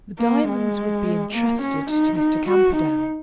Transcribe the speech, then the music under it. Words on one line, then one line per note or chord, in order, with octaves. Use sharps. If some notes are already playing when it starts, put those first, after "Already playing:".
The diamonds would be entrusted to Mr. Camperdown.
A#3
G#3
A#3
C#4
D#4
D#4
F#4
D#4